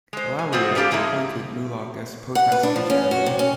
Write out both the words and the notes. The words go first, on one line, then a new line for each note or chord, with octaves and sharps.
Laurier appointed Mulock as Postmaster General.
G#3 C5
G#5
B3 C4 F4 F#4 G#4 C5
G3 C#4 D4 G4 A4 F5
F3 G#3 A#3 D#4 E4
F#5
B4
D4
F3
C#4
F#4
C3
C#4